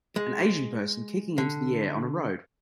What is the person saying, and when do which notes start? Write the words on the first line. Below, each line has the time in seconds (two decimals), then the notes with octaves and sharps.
An Asian person kicking into the air on a road.
0.16 G#3
1.38 D3